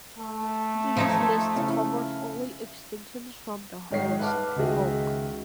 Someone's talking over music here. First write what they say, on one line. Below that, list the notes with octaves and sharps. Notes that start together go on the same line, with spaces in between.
This list covers only extinctions from the Holocene epoch.
A3
F3 D#4 C#5
C#3 E4 A5
G#2 D#3 C#5 F#5 C7
B4 E5 F#5 A5 D6 F6
C#2 D#3 F#4 G#4 E5